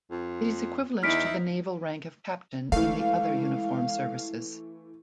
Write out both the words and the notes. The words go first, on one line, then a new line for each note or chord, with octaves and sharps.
It is equivalent to the naval rank of captain in the other uniformed services.
F2
E2 D#4 E4 F6 B6 D7
E3 G#3 A3 F5